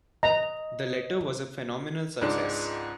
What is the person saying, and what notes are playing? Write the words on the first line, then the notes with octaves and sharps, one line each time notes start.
The letter was a phenomenal success.
D#5 A#5
C#2 G#2 G#3 D4